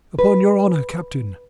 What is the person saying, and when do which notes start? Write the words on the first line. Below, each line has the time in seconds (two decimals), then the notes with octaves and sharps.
"Upon your honour, Captain."
0.19 B4